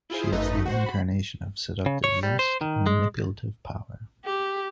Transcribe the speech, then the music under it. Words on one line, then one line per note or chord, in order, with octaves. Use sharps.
She is the incarnation of seductive lust and manipulative power.
E4 F4 G#4 C5
G#1 F#2 A3 D#4 B4 D#5
F#4 C5
B5
C#3
C#5
G3
C5
D#3
G#3
G4